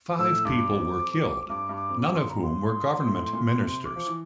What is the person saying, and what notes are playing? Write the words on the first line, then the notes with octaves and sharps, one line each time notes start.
Five people were killed, none of whom were government ministers.
A2 E6
G2 D6
F2
G2 D6
G2
D6
F2
D6
G2
C6
A#5
C6
A2
A#2
C3
D6
F3
E3